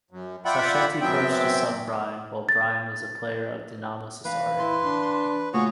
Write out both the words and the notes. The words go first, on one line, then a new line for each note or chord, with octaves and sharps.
Sacchetti coached his son Brian, while Brian was a player of Dinamo Sassari.
F#2
F4 D5 E5 F#5 G5 B5
F#2 F#3 B3 C4 E5 G5
A6
E3 B4 E5 F5
E4 C6
D4
C#3 A3 A#3 F4 F#4 G#4 C#5